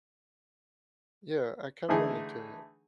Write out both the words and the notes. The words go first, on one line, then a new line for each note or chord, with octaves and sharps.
Yeah, I kinda wanted to
D3 E3 A3 D#4 G#4